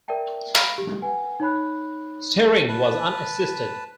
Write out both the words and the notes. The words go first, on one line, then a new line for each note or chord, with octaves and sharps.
Steering was unassisted.
A#4 D5 E5 G5 A5
F5 B5 F6 A#6 D7 F7
G4
B4 F#5 G#5
D#4 C#5 B5 F#6
B4 A5